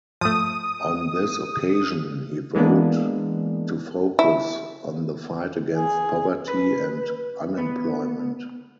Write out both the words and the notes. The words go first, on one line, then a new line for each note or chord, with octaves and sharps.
On this occasion, he vowed to focus on the fight against poverty and unemployment.
F3 A3 D#6
E3 G#3 A#3 B3 D4
E4
G#4
B4
B3